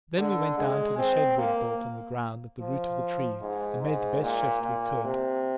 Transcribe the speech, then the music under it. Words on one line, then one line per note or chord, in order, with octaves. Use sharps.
Then we went down to the shed we had built on the ground at the root of the tree, and made the best shift we could.
D3
G#3
C4
A#3
F3
G#2
G#2
A#2
A#2
C3